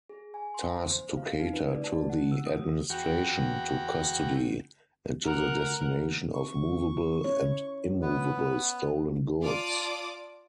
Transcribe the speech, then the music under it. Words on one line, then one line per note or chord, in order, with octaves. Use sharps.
Task to cater to the administration, to custody, and to the destination of moveable and immoveable stolen goods.
G#4
G#5
C6
C5
F5
D#4
B4
D5
A5
F#5
E6
D#6
E2 F#4 G5
A#4 F#5
C#6
C#4 E4 C#5
B3 B4
F4 D5 A5 D6 D#6